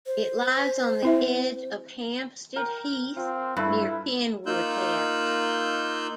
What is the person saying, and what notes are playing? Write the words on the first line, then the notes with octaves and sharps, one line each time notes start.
It lies on the edge of Hampstead Heath near Kenwood House.
C5
C4 E4 E5
A#4 G5
C4 F4
G2 E4 A4 B4
A#3 D#4 F4 E6 F#6 G6